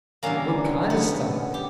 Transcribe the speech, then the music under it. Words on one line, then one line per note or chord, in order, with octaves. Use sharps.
"What kind of stock?"
E2 D3 G3 A#3 C#4
B3
G4